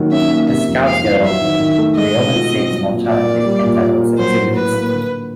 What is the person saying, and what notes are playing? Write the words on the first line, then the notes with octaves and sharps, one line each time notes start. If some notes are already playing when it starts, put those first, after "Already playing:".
As Scouts get older, they often seek more challenging and diverse activities.
Already playing: D#3 F#3 A#3
C#4 E5
A#3
C3 E5
F2
G#3 F5
E3
F#3 E5
D#3
D#3
A3
G#3 D#5
B2
F4
C4
F#3
A#2
A#2 D5
A#3
G3
A#2
A#2
A#3
F#3 C5
A2
A2 B4
A#3
D3